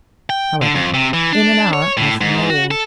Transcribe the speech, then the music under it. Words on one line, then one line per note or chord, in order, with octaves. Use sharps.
However, in an hour I shall know all.
G5
D3
F2
C3
E3
D4
C#5
A2
G#2
F#4
A4